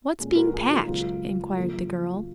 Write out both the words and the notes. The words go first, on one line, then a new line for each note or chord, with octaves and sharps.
"What's being patched?" inquired the girl.
A#2 G#3 C#4
F#4 A#4
F4 G#4
D#4 F#4
C#2 C#3 F#3 F4
F#2 C#3 F3 A#3